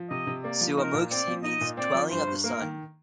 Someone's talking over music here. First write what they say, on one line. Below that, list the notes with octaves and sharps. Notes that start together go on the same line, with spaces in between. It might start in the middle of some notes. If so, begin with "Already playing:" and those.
Suamuxi means "Dwelling of the Sun".
Already playing: F3
C3 D#5
C3
A#3 D5
F3
D#4 A#4
A#2
C4 D5
F3
D#4 D#5
A#2
C4 D5
F3
G2 C5
G2
A#3 A#4
D#3